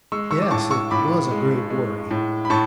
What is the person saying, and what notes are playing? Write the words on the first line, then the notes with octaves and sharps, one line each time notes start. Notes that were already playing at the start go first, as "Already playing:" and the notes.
Yes, it was a great worry.
G#3 C#6 E6
C#6 E6
D6
A2 A5 C#6
C#6 E6
A2 B5 D6
G#3
G#3
A2
B5
A2 A5 C#6